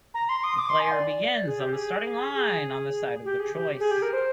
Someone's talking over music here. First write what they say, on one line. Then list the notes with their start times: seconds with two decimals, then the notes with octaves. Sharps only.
The players begins on the starting line on the side of their choice.
0.14 A#5
0.29 C6
0.44 D#6
0.58 D6
0.69 C6
0.80 G#5
0.92 D5
1.46 G#4
1.60 G4
1.72 G#4
2.35 G#4
3.24 G4
3.39 G#4
3.54 G4
3.80 G#4
3.91 G4
4.02 A#4
4.13 C5